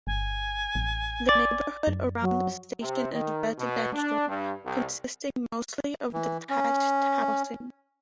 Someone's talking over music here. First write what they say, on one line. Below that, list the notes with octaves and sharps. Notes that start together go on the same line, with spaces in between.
The neighborhood around the station is residential, consisting mostly of detached housing.
G1 G#5
A1
D5
F#2
F#3
C3
D#3
B2
D4
G2
C2
E3
C#4